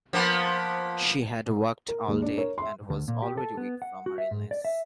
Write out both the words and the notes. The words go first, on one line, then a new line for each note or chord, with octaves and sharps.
She had walked all day and was already weak from her illness.
F3 A#3 B3
A#4
D#2 G#2
D4
A#4 C#5
E5 C6
D2
A#2
G4
A4
B3
F#5
F#4
E5
G#2
D5
E5